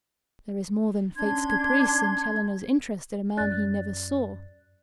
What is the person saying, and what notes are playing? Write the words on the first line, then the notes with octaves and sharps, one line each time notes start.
There is more than Fate's caprice in Challoner's interest in a man he never saw.
C#4 D4 C6 G#6
F#2 C#4 D5 F#6 A6